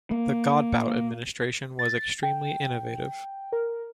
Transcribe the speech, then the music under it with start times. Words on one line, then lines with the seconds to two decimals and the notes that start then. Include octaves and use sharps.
The Godbout administration was extremely innovative.
0.11 A#3
1.79 A6
2.23 G5
3.52 A#4